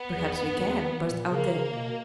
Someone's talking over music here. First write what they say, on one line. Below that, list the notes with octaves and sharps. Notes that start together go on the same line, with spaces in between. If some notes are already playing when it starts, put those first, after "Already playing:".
"Perhaps we can!" burst out Dick.
Already playing: B3
E2
G2
E2
A#2
C#3 A#3
C#3
B2